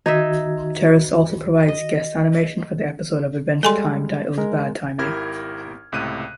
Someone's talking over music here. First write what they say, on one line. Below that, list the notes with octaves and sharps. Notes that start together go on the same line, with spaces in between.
Terrace also provided guest animation for the episode of "Adventure Time" titled "Bad Timing".
D#3 D#4 F#4 D#5 E5 G#6
D#5
G3 G#3 A4 G#5 C6
G#3 A#4
G#1 E4 G4 A#4 F6 G#6
C#2 A2 C3 F#6 D#7